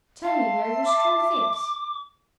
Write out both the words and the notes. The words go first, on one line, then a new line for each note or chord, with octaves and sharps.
Tell me where your strength is.
E5 F5 A5 C6
D6